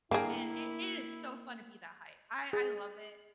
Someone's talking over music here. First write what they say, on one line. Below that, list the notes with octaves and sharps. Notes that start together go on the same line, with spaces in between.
and it it is so fun to be that height, I I love it.
D3 A#3 E4 G#4 F5 G5 A5
G#4